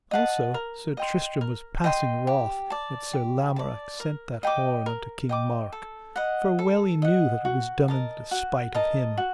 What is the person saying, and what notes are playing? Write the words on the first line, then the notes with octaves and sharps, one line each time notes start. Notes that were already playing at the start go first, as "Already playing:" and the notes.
Also Sir Tristram was passing wroth that Sir Lamorak sent that horn unto King Mark, for well he knew that it was done in the despite of him.
D#5 F#5 A5
A#4
D#5 G5 C6
A#4
D#5 G5 C6
G4
D5 A5
G4
D5 A5
A#4
D#5 G5 D6
A#4
D#5 G5 D6
A4
D#5 F#5
A4
D#5 F#5
F#4
A#4 D#5 A5
F#4
A#4 D#5 A5
F#4